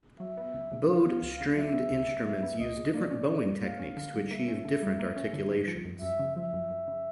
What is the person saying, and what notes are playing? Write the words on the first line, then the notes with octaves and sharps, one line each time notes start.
Bowed stringed instruments use different bowing techniques to achieve different articulations.
F#3 E5
B3
C#2
C#3
F#3 F5
B3
C#2
C#3
F#3 E5
B3
C#2
C#3
F#3 E5
B3
C#2 D#5
C#3
A#3 D5
C#4
D3
G3
A#3 F5
C#4
D3
G3
A#3 E5
C#4
D3
G3
A#3
C#4
D3
G3
F3
F#2
F#2 E5
C#3
F3 E5
F#2
F#2
C#3